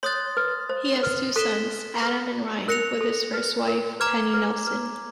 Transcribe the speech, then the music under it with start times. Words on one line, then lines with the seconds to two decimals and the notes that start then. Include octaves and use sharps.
He has two sons, Adam and Ryan, with his first wife, Penny Nelson.
0.03 C#5 C6 D#6 F#6 A6
0.37 B4
0.69 C5
0.95 C5
1.03 B4
1.36 A4 F#6 B6 E7 G7
2.02 B4
2.68 A#4 F#6 A#6 C#7 F7
3.01 A4
3.34 B4
3.68 A#4
4.00 B4 A#5 D6 F6 G#6
4.34 B4
4.67 B4